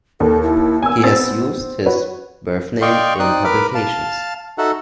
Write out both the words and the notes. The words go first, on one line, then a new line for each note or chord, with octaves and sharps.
He has used his birth name in publications.
D#2 A4
E4
B3 G#5 E6
C4 E6 A6
F#4 B4 C#5
D5 D#5 F5 G5 C6 C#6
C4 D#4 D5 D#6 F#6
A#4 B4 B5 D6 F6
F5 A5
D#4 F#4 A4 E5 F#5